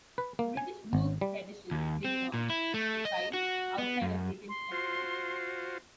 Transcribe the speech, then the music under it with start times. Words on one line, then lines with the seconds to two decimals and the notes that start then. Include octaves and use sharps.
The British blues tradition lives on, as a style, outside of Britain as well.
0.18 B4
0.39 A#3
0.57 G#5
0.93 G#1
1.21 G3
1.71 D#2
2.05 C4
2.34 A#2
2.50 E4
2.74 A3
3.05 D#5
3.34 F#4
3.78 B3
4.02 F#2
4.49 C6
4.71 F4 F#4 C5